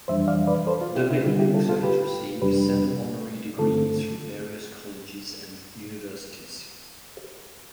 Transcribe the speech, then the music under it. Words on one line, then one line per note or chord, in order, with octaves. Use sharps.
De Mille also has received seven honorary degrees from various colleges and universities.
F2 E3 G3 D4 C5 E5
D5 F5
B4 D5
A4 C5
F4
E4 G4
E4
D3 G3 B3 F4
E4 G4
F4 A4
F4 A4
G4 B4
F2 C3 G3 D4 G4 B4
G2 D3 A3 C4 F4 A4